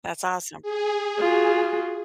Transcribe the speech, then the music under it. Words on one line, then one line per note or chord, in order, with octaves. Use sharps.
That's awesome.
G#4
F4 F#4